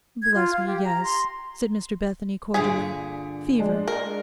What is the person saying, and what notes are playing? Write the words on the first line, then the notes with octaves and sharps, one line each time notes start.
'Bless me, yes,' said Mr Bethany cordially--'fever.
G#6
F4
F5
G4
A#5
C6
G2 A#2 D3 G#4 B6
G#3 D4
A#4